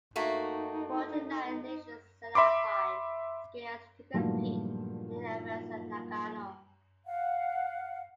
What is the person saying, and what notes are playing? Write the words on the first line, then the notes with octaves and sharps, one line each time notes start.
Forty-nine nations sent alpine skiers to compete in the events in Nagano.
A3 A#3 D#4 F#4
E5 B5 C6 D6
G2 A#2 D#3 F3 F#3 A3
F5 F#5